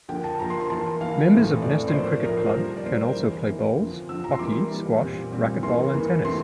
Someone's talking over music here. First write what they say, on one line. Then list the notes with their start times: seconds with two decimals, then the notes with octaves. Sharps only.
Members of Neston Cricket Club can also play bowls, hockey, squash, racketball and tennis.
0.09 D3 F3 A#3 G5
0.24 A5
0.39 D3 F3 A#3 A#5
0.50 C6
0.60 C6
0.70 E3 A#3 A5
1.01 E3 A#3 F5
1.32 A2 E3 A3 C4
1.62 A2 E3 A3 C4 D5
1.88 C5
1.93 A2 F3 A#3 D5
2.24 A2 F3 A#3 A#4
2.37 C5
2.49 A#4
2.55 D3 G3 A#3
2.77 D5
2.86 D3 G3 A#3 C5
3.16 E3 A#3
3.48 E3 A#3
3.78 D3 F3 C4
4.09 D3 F3 C4 E6
4.24 A#5
4.32 C6
4.39 E3 G3 A#3 D6
4.71 E3 G3 A#3
5.01 A#2 G3 C4
5.32 A#2 G3 C4
5.63 E3 A#3 C6
5.93 E3 A#3
6.24 C3 E3 A3 C4 C6